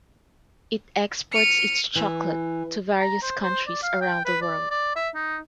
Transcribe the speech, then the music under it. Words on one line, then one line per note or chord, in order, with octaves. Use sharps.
It exports its chocolate to various countries around the world.
F6 C#7 D#7
E3
A#5
C5
C5
D5
F5
G5
B4
D5
D5
E5
D#4